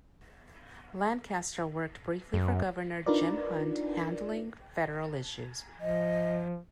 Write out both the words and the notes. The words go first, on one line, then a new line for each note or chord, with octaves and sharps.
Lancaster worked briefly for Governor Jim Hunt handling federal issues.
F#2
D4 D#4 F4 A#4 B4 D5
F3 D#5